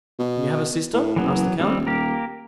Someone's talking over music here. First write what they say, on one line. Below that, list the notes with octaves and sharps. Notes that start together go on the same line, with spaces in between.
"You have a sister?" asked the count.
B2
A2
F#1 E3 F#3 B3
D#1 G3 C4
A#3 G4 A#4